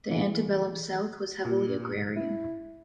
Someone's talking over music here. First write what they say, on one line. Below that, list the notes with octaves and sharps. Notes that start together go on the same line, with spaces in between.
The antebellum South was heavily agrarian.
E3 G#4
A#2
E4